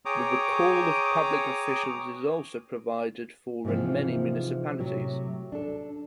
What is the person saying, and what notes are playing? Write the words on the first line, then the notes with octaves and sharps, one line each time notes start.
The recall of public officials is also provided for in many municipalities.
G#4 C#5 G5 A#5 D6 D#6
G#2 C3 E3 F3 C4
A2 C3 F#3
D4 A4